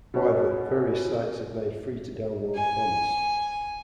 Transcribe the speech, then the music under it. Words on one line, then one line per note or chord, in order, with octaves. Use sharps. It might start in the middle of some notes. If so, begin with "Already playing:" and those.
However, various sites have made free-to-download fonts.
B2 C#4
G#5